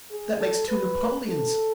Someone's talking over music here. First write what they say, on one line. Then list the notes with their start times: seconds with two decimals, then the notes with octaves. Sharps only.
That makes two napoleons!
0.11 G#4
0.40 A4
0.68 B4
1.27 A4